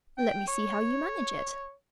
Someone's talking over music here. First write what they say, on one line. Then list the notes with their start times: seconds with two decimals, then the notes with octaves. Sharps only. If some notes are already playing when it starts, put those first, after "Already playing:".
'Let me see how you manage it.'
0.18 G5
0.48 C#5